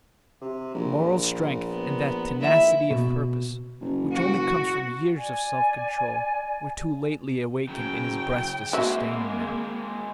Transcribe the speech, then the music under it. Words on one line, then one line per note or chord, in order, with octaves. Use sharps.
Moral strength and that tenacity of purpose which only comes from years of self-control were too lately awakened in his breast to sustain him now.
C3
A#1
B3
A#1 E4 E5
B2
F#1
F#4
D5 G#5
C#3 F#3 G5
G#3 A#3 C4 F#4 E5